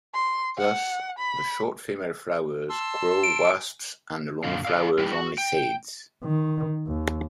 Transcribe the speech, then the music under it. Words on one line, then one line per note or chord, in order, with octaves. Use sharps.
Thus, the short female flowers grow wasps and the long flowers only seeds.
C6
F#5
B5
A5 C6 E6
D7
F#2 A#2 D3 F4
A4 D5 F5
G3 E4 G4 A#4 B4
F#4
G5
D#3
D#2